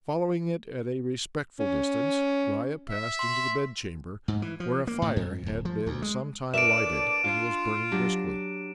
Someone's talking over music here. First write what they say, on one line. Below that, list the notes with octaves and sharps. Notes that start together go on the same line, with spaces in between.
Following it at a respectful distance, Riah passed into the bed-chamber, where a fire had been sometime lighted, and was burning briskly.
C#4
E5
C6
G#2
E3
F3
A#3
A2
F2
D1
F3
D2
G#3
A2 D4 A#4 B4 D5 E5 D7 E7
D4 F4
F#3 D4 G4